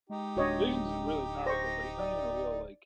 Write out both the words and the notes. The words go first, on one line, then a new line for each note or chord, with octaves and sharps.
Vision's really powerful, but he's not even a real, like,
G#3 D#4 G4
D1 D4 F#4 C#5 D#5
C5 C#6 A#6
D5